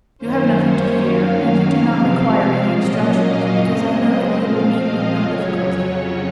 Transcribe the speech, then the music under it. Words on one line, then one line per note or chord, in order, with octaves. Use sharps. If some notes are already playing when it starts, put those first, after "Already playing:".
You have nothing to fear and you do not require any instructions, because I know that you will meet with no difficulty.
F#2 D#3 A#3 C#4 C5
C#5
F#2 D#3 F#3 A#3 C#4 F5
C3 F3 G#3 C4
A#2 F#3 A#3 C#4 D#5
F5
F#2 C#3 G#3 C4 D#5
A#2 F3 C4 F5
D#5
F2 C#3 F#3 C#4 C#5